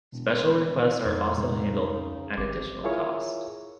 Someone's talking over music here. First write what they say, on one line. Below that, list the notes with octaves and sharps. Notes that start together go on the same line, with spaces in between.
Special requests are also handled, at additional cost.
E1 B2
F2 D#4
A2 C3 D#3 G#3
C#2 C#3
G#1 C3 D6
E4 F4 G#4 A#4 C#5 E5